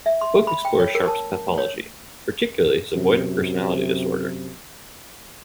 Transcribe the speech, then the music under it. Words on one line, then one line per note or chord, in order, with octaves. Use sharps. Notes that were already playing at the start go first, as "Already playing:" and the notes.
The book explores Sharpe's pathology, particularly his avoidant personality disorder.
E5
C6
B5
G5
C#5
A#4
A5
C#5
F#2 C3